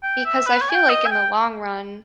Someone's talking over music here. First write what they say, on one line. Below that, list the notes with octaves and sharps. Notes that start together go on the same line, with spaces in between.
because I feel like in the long run,
G5
E5
B4
C#5
G#5
G5
D#5
G#5
G5